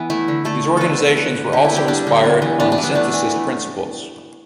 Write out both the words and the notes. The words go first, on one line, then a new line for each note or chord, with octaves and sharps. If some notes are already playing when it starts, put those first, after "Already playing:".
These organizations were also inspired on synthesist principles.
Already playing: E3 B3
A3 E4
D3
A3 A4
D3
B3 A4 B4
D3
B3 B4
D3
D3 G4
E4
B3
G4
G3 D4
D3
B3
E3
B3 D4
D4
E3
B3
A3 D4
E3
A3